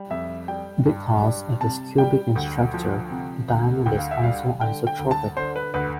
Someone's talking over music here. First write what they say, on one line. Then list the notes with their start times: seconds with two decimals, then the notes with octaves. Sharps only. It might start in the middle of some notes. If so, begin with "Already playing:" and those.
Because it is cubic in structure, diamond is also isotropic.
Already playing: G3
0.10 F2 E5
0.48 G3 G5
0.86 G2
1.23 G3
1.61 C3 A5
1.98 G3 G5
2.36 D2
2.74 F3
3.11 C3
3.48 D2
3.86 D2 G5
3.98 F5
4.11 E5
4.24 G3 F5
4.61 D3 G5
4.87 G5
4.99 D2
5.11 A5
5.36 D3 C5
5.56 B4
5.74 D2 B4